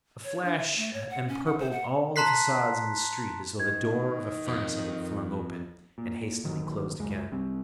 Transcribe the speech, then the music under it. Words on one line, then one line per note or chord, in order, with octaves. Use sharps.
A flash empurpled all the facades in the street as though the door of a furnace had been flung open, and hastily closed again.
C#5
D4
E5
A3
C#5
F#5
C#4
F#5
C5
F#5
A5 A#5 C6 F#6 B6 C7
D#3 G#6
F2
A#2
G1 A#2 D#3 F#3
C#2 F#2 G#3
C2 G3 C4